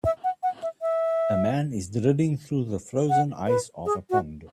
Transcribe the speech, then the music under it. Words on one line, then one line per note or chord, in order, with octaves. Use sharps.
A man is drilling through the frozen ice of a pond.
E5
F#5
F#5
E5
E5
F#5
B4
G#4
F#4